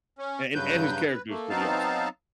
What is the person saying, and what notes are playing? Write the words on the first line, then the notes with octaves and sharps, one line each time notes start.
a and and his character is pretty awesome.
C#4
G2 C#3 F#3 B4 G6
B4
A3 A#3
F#3 B3 C4 D#4 F5 A5